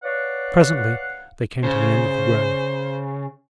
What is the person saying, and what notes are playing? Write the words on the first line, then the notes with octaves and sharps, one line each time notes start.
Presently they came to the end of the grove.
B4 C#5 D5 F5 F#5
C#3 C5